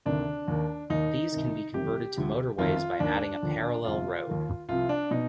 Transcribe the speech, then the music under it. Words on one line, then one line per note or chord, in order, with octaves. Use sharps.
These can be converted to motorways by adding a parallel road.
D2 C3 D#3 D4
D#2 D#3
D#2 D#3 D#4
C2 C3 D#3
G1 F2 C3 D#3 G4
D2 D3 F3
G1 F2 D#3 F4
D#2 D#3 D4
D#2 D3 F3
G1 F2 C3 F4
D#2 D#3
C2 C3 F3 F4
D4
B2 D#4